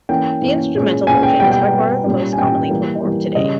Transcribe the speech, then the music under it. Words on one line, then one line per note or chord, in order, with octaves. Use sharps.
The instrumental version is by far the most commonly performed today.
E3 A#3 C#4 G5
E3 A#3 C#4
A#2 G#3 C#4
A#2 G#3 C#4 G#5
G5
B2 G3 B3 G5
G5
G5
B2 G3 B3
A#2 G3 C#4
G#5
A#2 G3 C#4 G5
E3 G3 A#3
E3 G3 A#3
C#3 G3 C#4 D#5